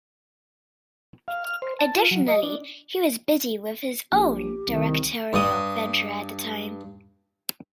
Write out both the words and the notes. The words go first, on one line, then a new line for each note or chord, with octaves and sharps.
Adittionally, he was busy with his own directorial venture at the time.
F5
F6
C5
A5
F4
F#3
D#5
D4
A#1 G4
C2 D#3
G2 D#6